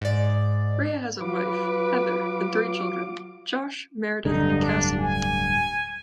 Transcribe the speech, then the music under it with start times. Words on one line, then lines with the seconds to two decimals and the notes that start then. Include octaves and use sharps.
Rea has a wife, Heather, and three children: Josh, Meredith, and Cassie.
0.01 G#2 D5
1.21 F#3 F4 B4 D6
4.25 D1 G2 D3 D#4
4.61 D4
4.99 G#5